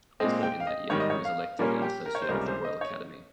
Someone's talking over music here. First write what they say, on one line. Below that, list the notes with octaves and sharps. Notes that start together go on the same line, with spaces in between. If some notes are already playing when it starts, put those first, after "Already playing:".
Also in that year he was elected an associate of the Royal Academy.
A#2 G#3 C4 D#5
G5
F5
D#5
G#2 D#3 G3 C#5
D#5
C#5
F5
A#2 G3 A#3 C#4 A#4
G4
A#4
C#5
C5
C#2 C3 G3 C#4 A#4
C5
D#5
C#5